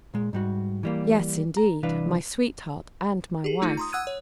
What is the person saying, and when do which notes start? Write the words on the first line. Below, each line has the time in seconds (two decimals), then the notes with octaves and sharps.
"Yes, indeed; my sweetheart and my wife."
0.14 A#2 G#3
0.33 G#2 G3 F#4
0.83 E3 G3 A#3
1.57 A#5
1.83 C2 E3 D4 B4 F5
3.44 G4 G#4
3.62 A3 D#4 F4
3.77 A#5 C6 D#6
3.93 F#5 D#6 E6 F#6 G#6 D#7
4.07 C#5